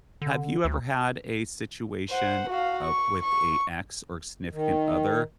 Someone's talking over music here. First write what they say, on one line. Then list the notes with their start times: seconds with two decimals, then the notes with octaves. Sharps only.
Have you ever had a situation, uh, with a ex or significant other,
0.22 D3
0.65 D2
2.10 C5 F#5
2.49 F#4 F5
2.84 C#6
3.23 C#6
4.53 D#3